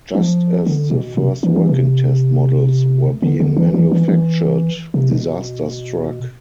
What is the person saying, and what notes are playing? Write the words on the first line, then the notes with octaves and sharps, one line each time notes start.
Just as the first working test models were being manufactured, disaster struck.
F3
D3
B2
C3
E3
E3
C3
D3
D3
E3
E3
E3
E3
C3
B2